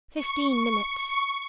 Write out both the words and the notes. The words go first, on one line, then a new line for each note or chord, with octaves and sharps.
Fifteen minutes.
C#6